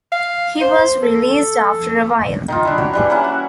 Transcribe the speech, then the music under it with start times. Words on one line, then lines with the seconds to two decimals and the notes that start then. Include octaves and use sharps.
He was released after a while.
0.12 F5
0.61 C5
1.03 A4
2.48 D#3 D#4 F4
2.65 D4 E4
2.78 F#4 G4 C#5
2.93 E3 G3 D4
3.10 A#3 C#4 E4 F#5
3.24 F#4